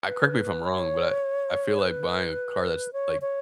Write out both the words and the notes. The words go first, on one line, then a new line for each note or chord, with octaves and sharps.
I correct me if I'm wrong, but I I feel like buying a car that's, like
B4
C#5
B4
C#5
C#5